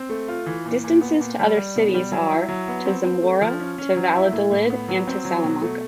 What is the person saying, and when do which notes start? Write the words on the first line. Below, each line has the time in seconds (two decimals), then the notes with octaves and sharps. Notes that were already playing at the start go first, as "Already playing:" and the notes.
Distances to other cities are: to Zamora, to Valladolid and to Salamanca.
Already playing: C4
0.09 A3
0.28 F4
0.46 E3
0.65 A#2
0.84 A#2
1.01 B3
1.20 A#2
1.39 G3
1.57 G3
1.76 B2
1.94 G3
2.12 F#3
2.31 E4
2.48 F#3
2.68 B3
2.86 C4
3.05 C4
3.22 A3
3.41 F3
3.60 C#4
3.78 C#4
3.96 F#3
4.15 E4
4.33 A2
4.52 A2
4.70 B3
4.88 F#3
5.08 C4
5.25 F#3
5.44 B2
5.62 A3